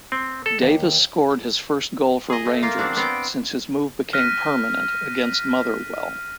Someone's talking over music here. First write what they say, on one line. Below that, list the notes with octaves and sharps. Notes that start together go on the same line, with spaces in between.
Davis scored his first goal for Rangers, since his move became permanent, against Motherwell.
C4
A4
D#2
G#4 D#5
A3
A#3 F4
F3 C4 D4 F#4
B3 C4 D5 F5 G5
F6 F#6 A#6 B6 D#7